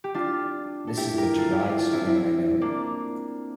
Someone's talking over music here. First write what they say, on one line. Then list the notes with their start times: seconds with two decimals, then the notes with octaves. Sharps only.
This is the driest thing I know.
0.04 G4
0.14 D4 F4
0.87 A4
0.97 E4 G4
1.18 G4 A#4
1.38 F4 A4
1.51 E4 G4
1.65 D4 F4
1.79 D4 F4
1.93 C4 E4
2.07 C4 E4
2.61 A#3 D4